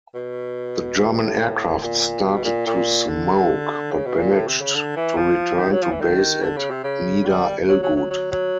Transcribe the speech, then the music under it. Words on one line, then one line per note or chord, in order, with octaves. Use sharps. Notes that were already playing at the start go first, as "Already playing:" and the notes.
The German aircraft started to smoke, but managed to return to base at Nieder-Ellguth.
B2
B2
A2
A2
A#2
B2
A#2
A#2
D3
C#3
B2
A#2
A2
C3
C#3
D3
E3
F3
D#3
F#3
F3
E3
D#3
D3
C#3
C3
C#3
G3
F#3
F#3
F#3
F#3
F#3